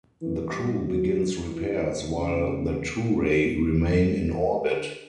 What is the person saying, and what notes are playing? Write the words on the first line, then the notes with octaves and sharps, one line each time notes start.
The crew begins repairs while the Turei remain in orbit.
E3
G3
F#3
E3
C#3
D3
E3
E3
D3